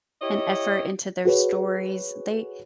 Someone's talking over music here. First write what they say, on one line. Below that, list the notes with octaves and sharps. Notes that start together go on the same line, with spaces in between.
and effort into their stories, they
E4 G4 C#5 D#5
F#4 G#4 B4 C#5